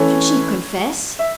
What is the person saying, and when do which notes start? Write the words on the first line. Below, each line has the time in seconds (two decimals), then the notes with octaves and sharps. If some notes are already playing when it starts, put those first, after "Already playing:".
Should she confess?
Already playing: E3 A3 C#4 C#5
1.19 E5